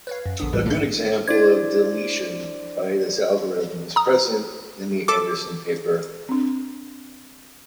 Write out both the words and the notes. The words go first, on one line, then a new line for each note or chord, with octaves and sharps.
A good example of deletion by this algorithm is present in the Andersson paper.
B4 C#5 F5
F#2
A#1 D3 B3 D4 D#6
D2 A2 E3 G3
D2 A2 D3 A3 A#3
D4 E4 C5 D5 G#6
A#5 D#6
A4 D6
C4 D4